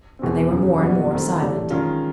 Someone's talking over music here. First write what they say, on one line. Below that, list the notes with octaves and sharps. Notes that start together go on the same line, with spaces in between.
And they were more and more silent.
E2 B2 G#3 C4
F#2 C#3 F#3
A#2 G3 B3 D4 F#4
D#3 F#3 A3 C4
E3 A3 D4 G4
D#3 G#3 C#4 F4 G#4